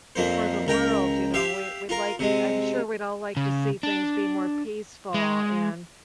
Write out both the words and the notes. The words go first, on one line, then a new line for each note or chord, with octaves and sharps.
for the world, you know? We, we'd like I'm sure we'd all like to see things be more peaceful, and
A#1 F2 A#3 C5
C#2 A#4 G5 A#5
G4 E5 F5
F4 A#4
C3 G#3
C#3
D4
G#3